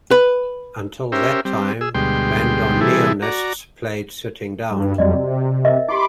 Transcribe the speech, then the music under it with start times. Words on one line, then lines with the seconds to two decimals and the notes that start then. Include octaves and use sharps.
Until that time bandoneonists played sitting down.
0.11 B4
1.12 C#4 G4 A#4 C5 E5
1.45 G3 C4
1.81 G#4 E6
1.94 D2 B2 G3 G#3 G5 C6
2.81 C3 E3 G3 E4 G#4 A4
3.22 F#4 D5 A#5
4.71 G2
4.98 F2 F#3 G3 F#4 D5 D#5
5.14 C3
5.65 A#4 D#5 E5
5.88 E4 G4 B5 C6 D6